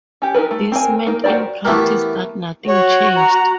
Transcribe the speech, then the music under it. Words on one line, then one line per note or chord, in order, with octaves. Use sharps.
This meant in practice that nothing changed.
C#4 G4
D#4 F#4 A#4 B4
A3
C4 A#4 G#5
A#3 D#4 A#4
F#4 G4 A#4 C5 D5
E3 A3 B3 E4 G4 A#4
F#4 C#5
A#5